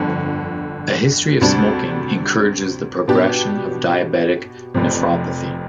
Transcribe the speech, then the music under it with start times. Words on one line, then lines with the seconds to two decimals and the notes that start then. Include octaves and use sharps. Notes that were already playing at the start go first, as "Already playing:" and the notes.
A history of smoking encourages the progression of diabetic nephropathy.
Already playing: G1 F2 D3
1.41 D2 C3 G3 D4
3.08 B2 B3 D4 G4
4.74 F1 F2 C3